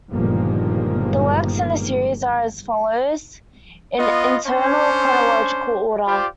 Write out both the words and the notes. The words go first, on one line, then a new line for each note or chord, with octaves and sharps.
The works in the series are as follows, in internal chronological order.
G1 A#2 D#3 F3 G#3 A#3
B3 F4 D#5
C#4 D4 C5
F4 G4 C5 D5